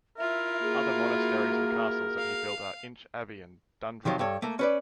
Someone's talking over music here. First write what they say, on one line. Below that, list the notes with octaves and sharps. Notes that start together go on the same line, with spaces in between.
Other monasteries and castles that he built are Inch Abbey and Dundrum.
E4 F4 A#4 E5
A#3 F#4 G#4
F5
C3 D#3 F3 F#3
G2 A4 C#5
A3 A#3
C#4 B4 D5